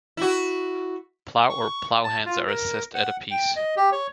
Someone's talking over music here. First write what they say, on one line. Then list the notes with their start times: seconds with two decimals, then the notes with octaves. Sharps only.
Plow or ploughlands are assessed at apiece.
0.17 E4 F#4
1.49 C#6
2.04 A5
2.26 F4
2.47 A#4
2.95 F#5
3.31 G5
3.56 D#5
3.77 G4
3.92 C#5